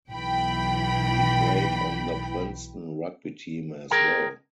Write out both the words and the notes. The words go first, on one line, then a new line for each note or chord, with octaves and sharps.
He played on the Princeton rugby team as well.
B1 E3 G5 B5
G#4 A#4 G5 A#5